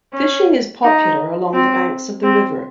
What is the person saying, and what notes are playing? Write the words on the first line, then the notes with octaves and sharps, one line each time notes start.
Fishing is popular along the banks of the river.
C#4
D#4
C4
C4